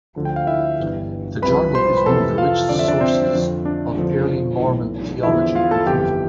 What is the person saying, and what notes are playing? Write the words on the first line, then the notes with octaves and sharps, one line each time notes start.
The "Journal" is one of the richest sources of early Mormon theology and thinking.
D2 D3 F3
G5
F5
E4 E5
G1 G2 E3
C2 C3 F3 B4 B5
C5 C6
B5
F2 C3 E3 A4 A5
F4 F5
F2 D3 F3 D5
E5
D4 D5
C4 C5
F2 D3 F3
D4 D5
F2 D3 F3
B1 A2 E3
E2 D3 F3 E4 E5
F4 F5
A4 A5
G1 F2 E3 G4 G5